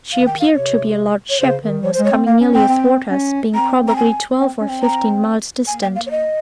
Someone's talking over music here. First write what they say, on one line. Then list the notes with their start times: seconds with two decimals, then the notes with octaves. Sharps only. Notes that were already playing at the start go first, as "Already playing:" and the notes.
She appeared to be a large ship, and was coming nearly athwart us, being probably twelve or fifteen miles distant.
0.12 D#3 F5
0.26 G5
0.40 F5
0.55 C3 C#5
1.29 C#5
1.40 C#3 C5
1.62 D#3
1.83 F3 C#5
1.94 G#3 C5
2.04 C#5
2.11 C4
2.26 A#3 F5
2.40 C#4
2.55 C4 G5
2.68 C4
3.11 C#4
3.54 C4 A#5
3.88 A#5
3.96 G#5
4.40 C4
4.61 C#4
4.68 C4
4.83 A#5
5.67 A#3 G#5
5.82 G5
5.96 F5
6.06 C#5
6.11 D#5